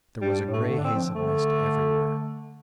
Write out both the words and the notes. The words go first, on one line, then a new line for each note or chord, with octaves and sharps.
There was a gray haze of mist everywhere.
G2 G3
A2
A3
D3
D4
C4
F3
D3 A3